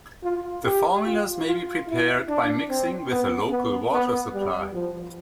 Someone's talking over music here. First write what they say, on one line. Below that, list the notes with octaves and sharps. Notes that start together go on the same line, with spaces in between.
The formulas may be prepared by mixing with the local water supply.
F4
G4
F4
F4
E4
D4
C4
B3
B3
B3
G3
F3